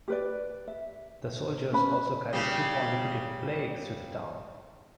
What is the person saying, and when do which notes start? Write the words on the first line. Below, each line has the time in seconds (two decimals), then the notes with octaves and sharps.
The soldiers also carried two consecutive plagues to the town.
0.08 G4 B4 D5
0.68 E5
1.73 C#4 B4 B5
2.33 C#3 G3